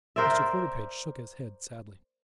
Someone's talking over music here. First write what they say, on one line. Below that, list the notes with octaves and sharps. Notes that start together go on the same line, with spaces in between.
Mr. Quarterpage shook his head sadly.
A#4 C5 D5 E5